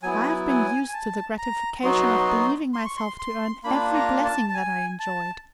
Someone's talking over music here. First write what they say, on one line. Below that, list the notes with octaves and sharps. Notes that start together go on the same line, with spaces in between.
I have been used to the gratification of believing myself to earn every blessing that I enjoyed.
F#3 B3 E4 G#5
G#5
G#5
A5
A#5
F#3 B3 D#4 F#4 C6
C6
C#6
C6
C6
A#3 D4 F4 B5
A#5
A5
A5
G#5
A5